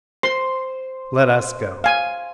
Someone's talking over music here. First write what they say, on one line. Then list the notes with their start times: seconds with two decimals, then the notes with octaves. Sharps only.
"Let us go."
0.23 C5 C6
1.84 F5 G#5